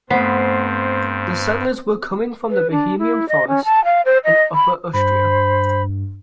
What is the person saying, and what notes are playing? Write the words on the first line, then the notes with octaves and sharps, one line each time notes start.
The settlers were coming from the Bohemian Forest and Upper Austria.
G2 A3 B3 C4 C5
B4
D4
E4
D#5
C#4
A5
F5
C5
D#5
B5
G2 C5 B5